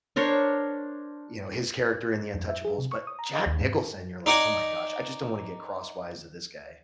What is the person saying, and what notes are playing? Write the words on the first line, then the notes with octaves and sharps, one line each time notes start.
you know, his character in The Untouchables. But Jack Nicholson, you're like, "Oh, my gosh. I just don't wanna get crosswise of this guy."
D4 A#4 C5 C#5
F2
E5
G#4
C3
C#6
D#6
A#5
D#5
D#2
G#2
D#4 D5 D#5 F#5 G#5